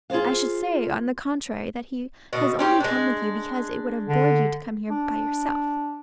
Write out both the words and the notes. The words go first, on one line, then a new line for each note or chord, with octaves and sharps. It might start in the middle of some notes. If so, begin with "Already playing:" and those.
"I should say, on the contrary, that he has only come with you because it would have bored you to come here by yourself."
F4 G#4 A4 C5 F5
B2 D3 D#5
C4 C#4 G4
G#3 D4
D3
D4